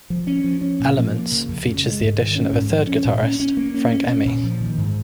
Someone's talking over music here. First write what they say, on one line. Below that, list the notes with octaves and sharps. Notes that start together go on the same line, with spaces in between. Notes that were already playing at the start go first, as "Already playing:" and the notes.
"Elements" features the addition of a third guitarist, Frank Emmi.
F3
C#4
F3
C#4
A#2
F3
A#3
C#3
F2
C#3
G#3
G#2
D#3
C#4
G#2
F3
C#4
A#2
C#4
C#4
A#3
C#4
C#4
C#4
A#2
F3
D#3
G#2